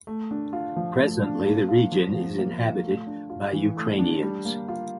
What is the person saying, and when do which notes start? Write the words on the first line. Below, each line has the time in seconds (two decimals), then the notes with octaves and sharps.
Presently, the region is inhabited by Ukrainians.
0.07 A3
0.31 D4
0.53 F4
0.76 F3
0.99 A3
1.22 D4
1.46 A#3
1.69 F4
1.92 F3
2.14 F3
2.38 A#3
2.61 F4
2.84 A3
3.07 D4
3.30 F4
3.53 E3
3.77 A3
3.99 D4
4.23 G3
4.45 A#3
4.68 F4